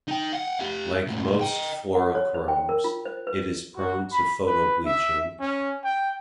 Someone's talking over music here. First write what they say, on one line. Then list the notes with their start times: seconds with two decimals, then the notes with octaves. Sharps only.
Like most fluorochromes, it is prone to photobleaching.
0.08 D#4 G5
0.32 F5 F#5
0.59 G4 F5
1.06 B1 A2
1.41 D#5 G5
1.95 F#5
2.15 C#5
2.34 C5
2.48 G5
2.69 A#4
2.84 F4
3.06 C5
3.27 B4
3.76 F#4
4.12 B5
4.47 B4
4.85 E5
5.40 C#4
5.84 G5